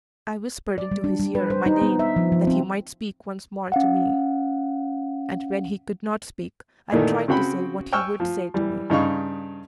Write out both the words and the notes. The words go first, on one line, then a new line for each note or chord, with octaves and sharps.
I whispered into his ear my name, that he might speak once more to me; and when he could not speak, I tried to say what he would say to me.
D5
G3
D4
G3
B4
C5
D#4
B3
E5
F3
F3
C4
C#4 F5 F#5
A#2 D#3 E3 A3
C#3 C4 F#4 G5 B5
G5 G#5 C#6 E6 F6
F3
E3 G3
G2 C#3 D#4 F5 B5 C#6